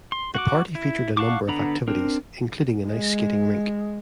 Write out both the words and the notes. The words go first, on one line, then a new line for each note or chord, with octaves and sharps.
The party featured a number of activities, including an ice skating rink.
C6
F#4 F#5 D6
E4
F5 F#5 A5 C#6 D6
D3 B3 D4 A#5 B5
C4 D4 A#4
G#3